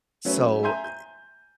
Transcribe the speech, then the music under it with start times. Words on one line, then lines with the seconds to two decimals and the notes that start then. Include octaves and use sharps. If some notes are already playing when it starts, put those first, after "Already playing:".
So, eh eh
0.25 F#3 A3 C#4 B4
0.63 E5 G#5 A#5 C6 G6 D#7
0.84 G6